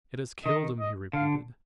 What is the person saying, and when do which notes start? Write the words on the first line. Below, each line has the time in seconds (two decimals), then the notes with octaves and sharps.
"It has killed him!" he repeated.
0.46 D#3 D#5
0.80 D#5
1.13 D3 F5